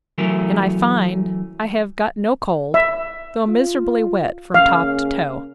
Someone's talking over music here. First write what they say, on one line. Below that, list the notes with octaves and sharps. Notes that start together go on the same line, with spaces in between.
And I find I have got no cold, though miserably wet from top to toe.
E3 F#3 A3 C#4 E4 A#4
E5
F4
C#3 A#3 C#4 F5